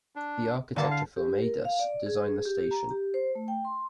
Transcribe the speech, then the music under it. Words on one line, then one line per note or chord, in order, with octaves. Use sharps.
The architecture firm Aedas designed the station.
D4
G2 D3 A#3 A5 A6
F5
G4
A#4
F5
D5
G#4
G4
A#5
G4
C5
A3
G5
C6